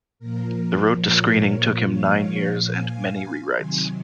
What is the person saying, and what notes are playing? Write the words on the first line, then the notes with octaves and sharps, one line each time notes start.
The road to screening took him nine years and many rewrites.
A#2 F3 A#4
A#4 C#5
C#5 F5
F5 G#5
C3 D#3 F#3 G#5 C6